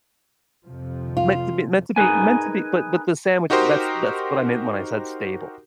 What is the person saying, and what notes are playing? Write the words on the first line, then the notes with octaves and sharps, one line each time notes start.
w meant to be meant to be meant to be but but the sandwich that's that's what I meant when I said "stable".
F2 C3 F3
F4
D#4 G#4 A#4 B4 G#5
D#4 F#4 G4 A#4 C5 D#5